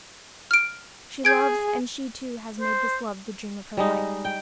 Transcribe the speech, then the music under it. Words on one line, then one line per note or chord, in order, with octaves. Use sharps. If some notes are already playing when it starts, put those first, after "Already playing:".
She loves, and she, too, has made this love the dream of her life.
F6 D7
G#4 G6 G#6 D7
C5
G3 G#3 D#4
G5